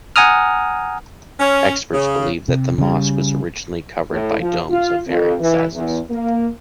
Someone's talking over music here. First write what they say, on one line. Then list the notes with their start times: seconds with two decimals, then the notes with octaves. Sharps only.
Experts believe that the mosque was originally covered by domes of varying sizes.
0.16 F#5 G#5 A#5 D#6 F6
1.40 C#4
1.93 C#3
2.49 C3
2.78 C#3 G3
4.11 A2
4.40 F3
4.70 F4
5.07 F2
5.40 E3
5.73 E2
6.10 A#3